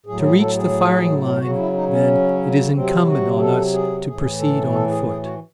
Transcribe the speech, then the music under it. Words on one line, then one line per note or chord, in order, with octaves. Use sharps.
To reach the firing-line, then, it is incumbent on us to proceed on foot.
A2 F#3 G#4
G#4
A4
G#4
C#3 F#3 F#4
E4
D#4
C#4
C3 F#3 C4
F#4
A4
G#4
A2 E3 G#4
A4
A4
G#4
G#4
F#4